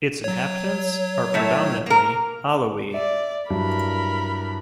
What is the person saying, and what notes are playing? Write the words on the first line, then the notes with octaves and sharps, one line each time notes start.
Its inhabitants are predominantly Alawites.
F#3 C#5
A2 A3 E5
A#3 A#4
D5 E5
G2 F#3 E4 A#4 B5